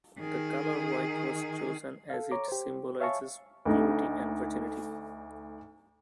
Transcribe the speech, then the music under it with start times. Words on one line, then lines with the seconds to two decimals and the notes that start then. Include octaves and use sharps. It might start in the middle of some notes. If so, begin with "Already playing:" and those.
The colour white was chosen as it symbolises purity and virginity.
0.19 D#3 G#4
2.10 A4 F5
2.31 C#5 A#5 D6
2.48 G4 C5
3.00 C#5 E5 F5 G#5 A5 C#6
3.65 D2 A3 D#4